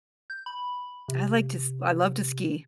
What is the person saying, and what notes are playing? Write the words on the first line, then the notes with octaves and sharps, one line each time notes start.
I like to s I love to ski.
G6
B5
C3